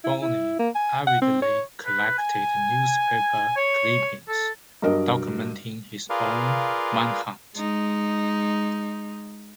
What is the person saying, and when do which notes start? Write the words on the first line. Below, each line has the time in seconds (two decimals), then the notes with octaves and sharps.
Bonin avidly collected newspaper clippings documenting his own manhunt.
0.04 E4
0.22 E4
0.59 A#3
0.75 G#5
1.07 F#5
1.22 C4
1.42 C#5
1.86 B4
2.18 G#5
3.57 C#5
4.28 A4
4.82 G2 F#3 A#4 D#5
6.10 F4 G#4 A#4 B4 D5 F5
7.55 G#3 D#4